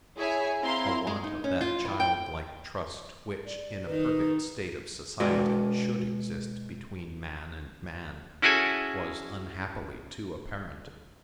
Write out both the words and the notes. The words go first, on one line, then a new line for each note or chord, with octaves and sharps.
A want of that childlike trust which, in a perfect state of society should exist between man and man, was unhappily too apparent.
E4 G#4 C#5 E5 G#5
C4 E4 F5 A#5 C6
G#3
D#4
C#4
F4
E3
G5
D5
D#3 D#4 B4
B2 G#3 F#4 B4 D5
C#4 E4 F#4 G#4 A4 G#5